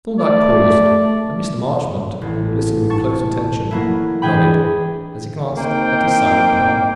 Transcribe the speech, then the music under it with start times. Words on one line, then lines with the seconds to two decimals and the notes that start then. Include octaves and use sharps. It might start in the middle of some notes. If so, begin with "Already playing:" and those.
Thorndyke paused, and Mr. Marchmont, who had listened with close attention, nodded, as he glanced at his silent partner.
0.19 A3 D5
2.22 A1
2.90 A5 C#6 A6
3.71 F#3 A#3 E4
4.22 E3 D4 G#4 G5 B5
5.58 A#3 C4 D#4 G5